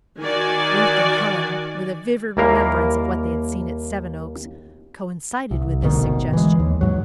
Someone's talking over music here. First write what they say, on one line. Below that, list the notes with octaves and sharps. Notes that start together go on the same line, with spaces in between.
Ruth and Helen, with a vivid remembrance of what they had seen at Seven Oaks, coincided with this suggestion.
D#3 F#4 D5 G#5
D#2 G3 A#3 E4 A#4 F5
C2
G#1 D2 B2 D#3
E3 G#3
D#2
G#2 F#3